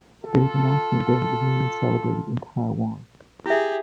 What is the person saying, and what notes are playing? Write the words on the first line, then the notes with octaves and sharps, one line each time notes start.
Today the National Day is mainly celebrated in Taiwan.
F4 A4
E4 G4 G#4 E5